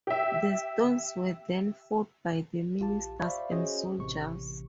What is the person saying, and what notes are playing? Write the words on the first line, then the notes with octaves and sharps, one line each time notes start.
The stones were then fought by the ministers and soldiers.
G4 E5
A#1 F4 G4 A5
C5 D5 E5 F5 B5 C#6
C#4 F#4 G#4 C5 C#5 D#5
A1 C3 C#6